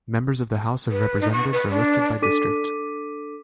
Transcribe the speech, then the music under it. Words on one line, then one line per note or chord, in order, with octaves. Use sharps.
Members of the House of Representatives are listed by district.
B4
D#4
C#6
B4
D4
D4 A4 D6 B6 D#7